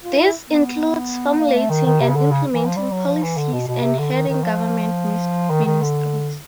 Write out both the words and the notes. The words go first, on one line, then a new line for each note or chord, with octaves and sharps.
This includes formulating and implementing policies and heading government ministries.
F4
E4
B3
A#3
A3
D#3
D#3
C3
C#3
D3
C#3
E3
F3
G3
F#3
F3
E3
D3
B2
B2
C3
D3
D#3
D#3
F3
D#3
D#3
D3